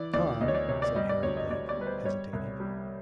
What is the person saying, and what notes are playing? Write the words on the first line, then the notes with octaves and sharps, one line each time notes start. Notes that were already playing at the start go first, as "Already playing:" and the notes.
"Tom," said Harry Blake, hesitating.
Already playing: E3 D5
D2 D5
D2 D#5
C#5
D5
C3 C#5
D5
G3 D#5
D5
D2 C#5
D#5
D2 D5
D5
G3 B4
C5
G3 C#5
C2
G3